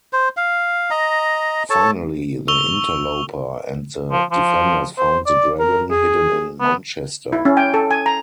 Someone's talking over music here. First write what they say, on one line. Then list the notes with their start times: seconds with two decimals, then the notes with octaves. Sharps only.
Finally, the Interloper and the Defenders found the Dragon, hidden in Manchester.
0.13 C5
0.37 F5
0.91 D#5 A#5
1.70 A4 C#5 A5
2.48 C#6 E6 F7 G7
4.11 F3
4.31 F3
4.98 C5
5.26 D5
5.59 A#4
5.90 G#4
6.61 B3
7.32 E4
7.45 C#4
7.57 G5
7.74 A4
7.91 G#5
8.06 A#5